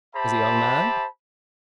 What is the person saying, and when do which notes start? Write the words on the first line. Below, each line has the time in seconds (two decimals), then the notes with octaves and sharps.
"As a young man?"
0.15 G4 C5 E5 A5 B5